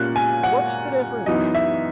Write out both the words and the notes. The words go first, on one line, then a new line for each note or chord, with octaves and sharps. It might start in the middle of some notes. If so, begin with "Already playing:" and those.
"What's the difference?"
Already playing: A#2 A#3 C#4 F#6
G#5
F#5
F#2 E3 B3 D#4 D#5
E5